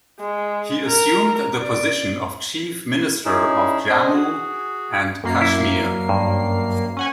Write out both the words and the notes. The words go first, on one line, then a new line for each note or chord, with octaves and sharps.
He assumed the position of Chief Minister of Jammu and Kashmir.
G#3
A#4
D5
C#4 D#4 E4 G#4 E6
C4 D4 C5 D#5 G#5
F#4 G#4
F#2 A#3 C7
E4
G2
C#4 F#5 G#5